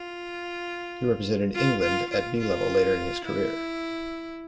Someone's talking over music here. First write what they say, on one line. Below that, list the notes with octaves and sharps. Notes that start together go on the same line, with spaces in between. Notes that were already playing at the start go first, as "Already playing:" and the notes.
He represented England at 'B' level later in his career.
Already playing: F4
F4
F4
F4
F4
E4